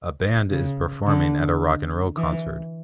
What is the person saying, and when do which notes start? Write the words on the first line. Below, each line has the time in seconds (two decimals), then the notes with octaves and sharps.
A band is performing at a rock and roll concert.
0.51 C#3
1.07 D3
2.17 E3